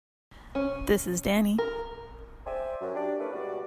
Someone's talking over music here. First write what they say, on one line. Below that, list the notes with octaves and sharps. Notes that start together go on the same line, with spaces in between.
This is Danny.
C#4
A#4
C5 D5 E5 G5 G#5
F#2
D4 G4 D5
A3 A#3 C#4 D4 E4 B4
C#2 B2 G3 F#4 D5